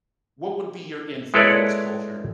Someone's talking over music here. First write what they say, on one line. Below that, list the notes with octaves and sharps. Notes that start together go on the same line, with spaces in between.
what would be your in for Norse culture?
G#3 E4 A4 B4 C#5 D5